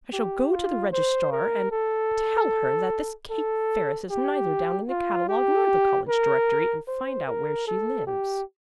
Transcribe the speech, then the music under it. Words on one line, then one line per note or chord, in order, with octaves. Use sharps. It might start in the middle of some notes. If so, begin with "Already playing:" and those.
"I shall go to the registrar and tell her that this Kate Ferris is neither down in the catalogue nor the college directory, and find out where she lives."
G4
F4
C5
A#4
A4
A4
G4
F4
G4
A#4
C5
A#4
A4
G4